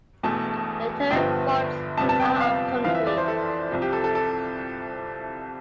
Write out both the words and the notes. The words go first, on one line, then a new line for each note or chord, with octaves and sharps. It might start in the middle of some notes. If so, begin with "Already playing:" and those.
The interior vaults are of concrete.
E1 E2 B2 A3 A5
G1 G2 D3 F3 B3 G5
G1 F2 C3 G3 B3 A5
A5
G5
F5
G1 F2 E3 F5
E5
D5
C5
A4
C2 C3 F3
G4
A4
A4
A4